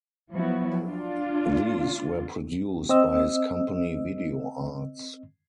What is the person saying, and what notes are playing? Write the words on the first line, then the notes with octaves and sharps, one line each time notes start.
These were produced by his company Video Arts.
F3 F#3 B3 E4 F#4
D4 F4
C4 D#5 E6